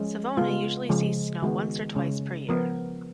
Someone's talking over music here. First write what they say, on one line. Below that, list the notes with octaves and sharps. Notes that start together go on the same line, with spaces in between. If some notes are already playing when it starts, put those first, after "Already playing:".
Savona usually sees snow once or twice per year.
Already playing: F3 G#3 C#4
C#3 G#3 B3 F4
C#3 F3 G#3
D#3 G#3 B3 F#4
C#3 G#3 C#4
F3 B3 A#4